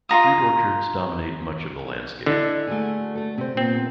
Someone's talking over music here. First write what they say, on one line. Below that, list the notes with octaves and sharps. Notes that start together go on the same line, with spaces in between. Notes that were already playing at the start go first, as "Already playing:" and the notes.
Fruit orchards dominate much of the landscape.
F4 F#4 A#5 D#6
D3 E4 D#5 E5
A3 F#4 G#4
A3 A4
C3 C5
A#2 B3 C4